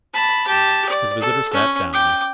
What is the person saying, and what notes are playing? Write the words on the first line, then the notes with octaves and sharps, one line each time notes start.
His visitor sat down.
A5 B5
G4 A5
D5
A4
C#4
G5 D6